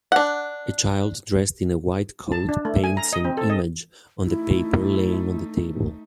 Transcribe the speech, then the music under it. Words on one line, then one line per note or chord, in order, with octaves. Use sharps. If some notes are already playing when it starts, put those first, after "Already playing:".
A child dressed in a white coat paints an image on the paper laying on the table.
D4 F#5
A5
D4
A3
G#5
A#5
D#5
C4
A4
D#5
A3 D#4 E4